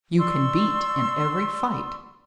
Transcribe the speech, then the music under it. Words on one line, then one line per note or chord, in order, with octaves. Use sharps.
You can beat in every fight.
D5 C6 C#6 E6